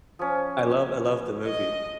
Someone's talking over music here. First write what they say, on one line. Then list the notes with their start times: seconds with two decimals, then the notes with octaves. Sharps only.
I love I love the movie.
0.19 F3 C#4
1.45 D#5